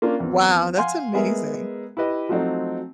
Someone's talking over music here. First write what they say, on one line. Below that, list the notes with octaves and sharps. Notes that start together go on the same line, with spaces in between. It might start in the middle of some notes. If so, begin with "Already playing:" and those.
wow, that's amazing!
A#3 C#4 D4 F4 A#4
E2 C4
F5 F#5 G#5 C6 F6
G#3 B3 G#4 A#4 E5
E4 G4 B4 D#5
F3 F#3 A3 C4 D#4